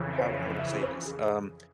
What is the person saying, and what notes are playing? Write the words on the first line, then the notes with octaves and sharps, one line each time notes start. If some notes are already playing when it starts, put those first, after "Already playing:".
how how would I say this, um
Already playing: F2 C#3 E3
C5
C#5
E5
C5
G#4